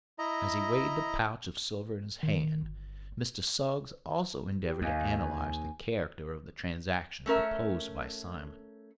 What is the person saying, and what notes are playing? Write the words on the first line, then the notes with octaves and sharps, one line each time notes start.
As he weighed the pouch of silver in his hand, Mr. Suggs also endeavored to analyze the character of the transaction proposed by Simon.
E4 D#5 A#5
D#3
G1
G4
D#2 D#5 F5 G#5
G#5
A3 C#4 A#4 E5